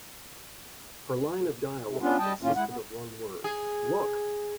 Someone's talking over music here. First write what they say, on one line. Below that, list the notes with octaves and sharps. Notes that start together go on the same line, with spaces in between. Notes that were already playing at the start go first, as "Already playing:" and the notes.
Her line of dialogue consisted of one word, Look!
C3
B3 C#4 D4 F4
G3 D#5 G5 A5
A2 D#3 A#3 C#4 F4
G#3 E4 F#5
B3
G#4